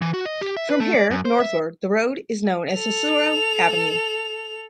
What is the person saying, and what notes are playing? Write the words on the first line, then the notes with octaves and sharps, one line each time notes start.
From here northward the road is known as Cicero Avenue.
E3
F#4
D#5
G4
E5
B4
A3
D5
F#2
C5
E5
A4 F7